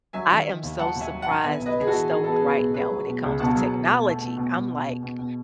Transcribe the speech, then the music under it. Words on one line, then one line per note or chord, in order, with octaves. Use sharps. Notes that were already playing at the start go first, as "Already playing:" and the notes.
I am so surprised and stoked right now when it comes to technology. I'm like,
F#3 E5 G#5
D#3
D#3
D#2
F#3 F#5 A5
D#2
E5 G#5
F#3
F#5 A5
D#3
B3 E5 G#5
B1
B4 D#5
B3 G#4
F#4 A4
E3
E3 G#4
B3 A4
G#4
B3
G#4
B1
A3 G#4 B4
F#3
B2
C#2
B2 F#5 A5
F#3
B2
B2
A3
B2
B2
B2
B2
B2
B2
B2